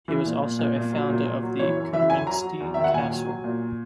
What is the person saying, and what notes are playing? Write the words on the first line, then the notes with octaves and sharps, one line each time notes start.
He was also a founder of the Kudryntsi Castle.
E3
A#2
A#2
A#2
A#2
F#3
A#2
A#2
F#3
E3 C#5
F#2
E3 E5
F#2 G#5
F#3 A#5
F#3
E2
D#3 E5
F#5
A#2 G#5
F#3
F#3
A#2